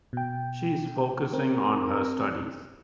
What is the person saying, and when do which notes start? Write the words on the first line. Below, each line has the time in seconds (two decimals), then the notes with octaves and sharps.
She's focusing on her studies.
0.13 B2 G5
1.33 C4 A#4